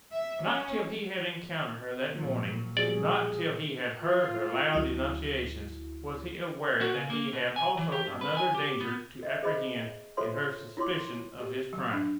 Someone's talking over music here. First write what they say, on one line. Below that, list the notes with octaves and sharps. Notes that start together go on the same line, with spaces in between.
Not till he had encountered her that morning--not till he had heard her loud denunciations--was he aware that he had also another danger to apprehend in her suspicion of his crime.
E5
C#4
A#2 F3 F#3
B2 F3 G3 G#4 D5
F4
D2 F#3 E4
F#4
C#3
A#3
B2
G#5
E3
G4
G2
B4
G#5
G4
B3
D#5 E5
G#4 C5 D#5 B5
F4 A4 C5 C#5 E5 C6
E4 F4 C#5 C6 D6
G4
F#3
D4